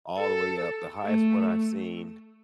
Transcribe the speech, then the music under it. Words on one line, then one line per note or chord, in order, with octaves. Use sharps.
all the way up the highest one I've seen
A4
A3